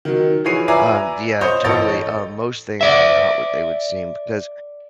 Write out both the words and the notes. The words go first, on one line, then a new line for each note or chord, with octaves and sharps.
Um, yeah, totally. Uh, most things are not what they would seem because,
D#3 F#3
E3 F3 G#4 C#5 C7 D#7
B4 D5 E5 G#5 A#5
C5 C#5 D#5 G6
A1 A4 C#5 D#5 A6
D5 E5